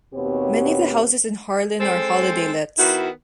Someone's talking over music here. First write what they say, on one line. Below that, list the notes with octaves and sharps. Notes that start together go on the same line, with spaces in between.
Many of the houses in Harlyn are holiday lets.
D#2 B2 B3 C4 G4 C#5
G#3 C4 A4 C5
D#3 B3 E4 F#4